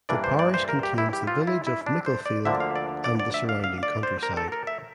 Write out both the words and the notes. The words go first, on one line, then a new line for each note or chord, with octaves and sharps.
The parish contains the village of Micklefield and the surrounding countryside.
G2 E3 A#3 D4 D5
C5
D5
C5
A#4
G4
E4
G4
F4
E4
E4
D4
C5
D5
D2 D3 F3 A#3 E5
F5
D5
D5
D5
E5
F5
F5
D5
C5
A#4
A4
A#4
E5